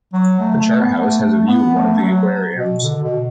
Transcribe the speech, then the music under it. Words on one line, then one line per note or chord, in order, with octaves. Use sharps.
The Chart House has a view of one of the aquariums.
F#3
A3
A3
B3
A3
A3
B3
A3
A3
F#3
B2
D3
D3
B2